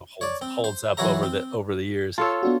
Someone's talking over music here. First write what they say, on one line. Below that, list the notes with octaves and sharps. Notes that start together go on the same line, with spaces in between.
holds holds up over the over the years.
C#5 D5
C4
C5
B1 E3 F#4 C#5 E5 A#5
C4
F4 A4 C#5 A5 E6
B3 D4 F#4